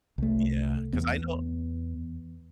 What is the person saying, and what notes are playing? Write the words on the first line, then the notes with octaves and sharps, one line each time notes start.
Yeah, 'cause I know
C2 A3
E2 B3